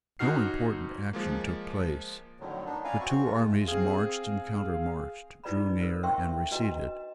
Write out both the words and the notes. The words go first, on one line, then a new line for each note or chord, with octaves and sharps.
No important action took place. The two armies marched and countermarched, drew near and receded.
D#2 D#4 F#4 F6 C7
F3 G#3 A#3
F2 A2 D3 D#3 F#3
B3 D4 D#4
C#4 E4 D5 F5 G#5 A#5
C4 F#4 C#6
G#3 A3 F4
C4 G#4 F5
D#4 F4 B4 D5 A#5 B5
A4 A#4 C5
C5 E5 F5 G5 C6 C#6
D4 F#4 B4 D#5 A#5